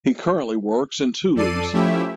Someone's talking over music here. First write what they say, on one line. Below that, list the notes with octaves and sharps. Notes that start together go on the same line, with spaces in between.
He currently works in Toulouse.
F2 A4 D5 C7 D#7
F3 A3 C#4 E4 G4 E5